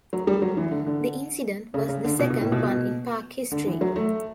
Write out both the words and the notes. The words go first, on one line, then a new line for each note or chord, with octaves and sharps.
The incident was the second one in park history.
F#3
G3
F#3
E3
D3
D3
C#3
C#3
D3
B2
B2
A2
B2
B2
D3
E3
F#3
A3